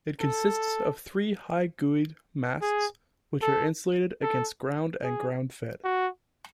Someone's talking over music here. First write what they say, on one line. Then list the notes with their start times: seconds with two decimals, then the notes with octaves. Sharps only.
It consists of three -high guyed masts, which are insulated against ground and ground-fed.
0.20 A4
2.62 G#4
3.42 A4
4.23 A4
5.03 G#4
5.84 F#4